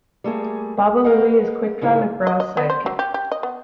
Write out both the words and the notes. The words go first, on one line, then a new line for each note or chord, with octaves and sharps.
Baba Looey is Quick Draw McGraw's sidekick.
G3 A3 A#3 G#4
G#4 A#4 B4 D#5 F5 F#5
G#2 C#3 A#3 D#4 E4
D#5
D#5
B3
C5
F#3
G4
G4
D#5
B3